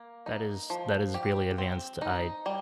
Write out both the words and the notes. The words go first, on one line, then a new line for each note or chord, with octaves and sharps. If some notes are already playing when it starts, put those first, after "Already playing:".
That is that is really advanced I
Already playing: A#3
D#4
F3
G4
C4
D#4
G3